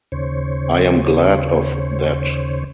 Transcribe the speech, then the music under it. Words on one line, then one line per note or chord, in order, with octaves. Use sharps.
I am glad of that!
D#2 C#3 C5 C#5